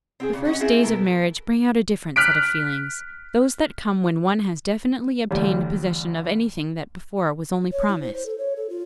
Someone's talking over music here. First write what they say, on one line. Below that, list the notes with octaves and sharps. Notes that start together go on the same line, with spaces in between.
But the first days of marriage bring out a different set of feelings--those that come when one has definitely obtained possession of anything that before was only promised.
C4 F#4 G#4
A#2 C#3
C#4 F#4 D#5
C4 E4 F4 G#4
B2 B3 A4 A#4
F6 F#6 B6 D7
A1 D2 G3
C#5
E4
C5
C5
A4
C#5
A4
F4